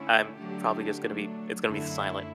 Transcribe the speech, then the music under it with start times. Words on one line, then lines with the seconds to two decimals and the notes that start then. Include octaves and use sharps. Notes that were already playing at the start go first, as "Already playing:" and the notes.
I'm probably just gonna be, it's gonna be silent.
Already playing: D3 A3 C#4 E4
0.38 D3 F#3 A3 D4 G4
1.00 F#3 A3 D4
1.62 F#2 D3 A3 E4